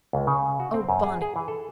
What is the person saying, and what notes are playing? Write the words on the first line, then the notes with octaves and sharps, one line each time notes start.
Oh, Bonnie!
C#2
C#3
F#4
C4
F#2
G#4
G#4
E3
A4